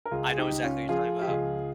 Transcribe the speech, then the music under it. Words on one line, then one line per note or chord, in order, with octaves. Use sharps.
I know exactly what you're talking 'bout.
A#4
C#2 F4 G#4
G#4
D#4 G4
C#2
C#4 F4
F3 F4 G#4
G4
C#2 F4 G#4